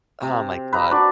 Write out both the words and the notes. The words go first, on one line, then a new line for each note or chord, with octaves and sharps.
oh, my god.
C3
B4 A#5
D4 F#4 D5